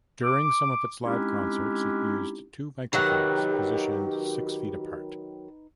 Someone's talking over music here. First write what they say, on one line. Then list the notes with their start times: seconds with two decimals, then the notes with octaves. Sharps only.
During some of its live concerts, it used two microphones positioned six feet apart.
0.24 D6
1.04 G#3 C4 C#4 D#4 E4 G4
2.93 D#3 F#3 D#4 G4 B4 F#5